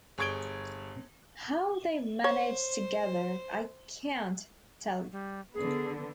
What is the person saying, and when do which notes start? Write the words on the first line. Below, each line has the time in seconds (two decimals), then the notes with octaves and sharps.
How they managed together, I can’t tell.
0.18 G1 G#4 C#6 G#6 D7 G7
2.24 C5 C#5
5.12 G3
5.54 D3 B3 G#4